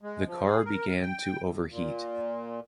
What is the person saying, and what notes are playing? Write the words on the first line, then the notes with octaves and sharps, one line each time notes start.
The car began to overheat.
G#3
F3
G#4
A#4
G5
A2
A#2